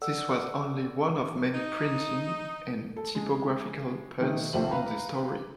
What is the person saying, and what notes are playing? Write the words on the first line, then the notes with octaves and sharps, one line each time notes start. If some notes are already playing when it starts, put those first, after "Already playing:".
This was only one of many printing and typographical puns in the story.
A4 D5 F#5 E6
D#4
A4
G#3
B2 D#3 A3 D#4
A#1 D#2 C3 A3 C5 F#7
B4 F5 A#5 B5